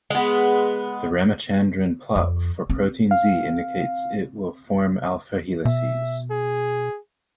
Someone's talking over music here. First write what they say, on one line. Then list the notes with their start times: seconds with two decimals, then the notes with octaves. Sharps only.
The Ramachandran plot for protein Z indicates it will form alpha helices.
0.10 G#3 B3
2.16 F2
2.70 C4
3.11 F5
5.65 B2 E5
6.31 G#4